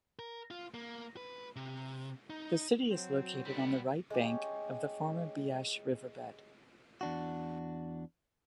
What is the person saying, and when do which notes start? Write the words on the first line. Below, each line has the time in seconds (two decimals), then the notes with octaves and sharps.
The city is located on the right bank of the former Beas River bed.
0.19 A#4
0.51 F4
0.74 A#3
1.17 B4
1.56 C3
2.30 D#4
2.89 F#3 C4
3.45 G3 A3 B3 D#4 G4
4.10 G#3 C#4 G4
7.01 E2 D4 F#4